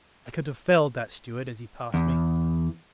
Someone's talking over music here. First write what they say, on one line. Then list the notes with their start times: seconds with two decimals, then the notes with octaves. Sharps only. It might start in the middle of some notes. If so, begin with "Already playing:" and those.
I could have felled that steward as he passed me.
1.94 E2